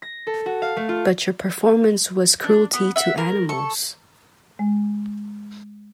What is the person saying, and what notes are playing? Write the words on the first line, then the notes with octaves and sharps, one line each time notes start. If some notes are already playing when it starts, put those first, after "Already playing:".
But your performance was cruelty to animals.
A#6
A4
F#4
F5
A3
F4
D4
B3
E5 F#5
A#4
A4 C#6
G#3